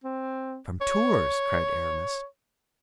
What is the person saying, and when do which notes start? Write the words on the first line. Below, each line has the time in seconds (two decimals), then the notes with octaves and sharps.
"From Tours!" cried Aramis.
0.04 C4
0.81 C#5